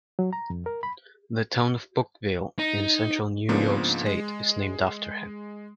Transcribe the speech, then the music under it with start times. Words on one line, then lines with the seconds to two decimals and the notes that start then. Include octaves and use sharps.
The town of Bouckville, in central New York state, is named after him.
0.19 F#3
0.33 A#5
0.50 F2
0.66 A#4
0.83 B5
2.59 D#4
3.49 G#2 C#3 F3 A#3 B3 D4
4.06 G#3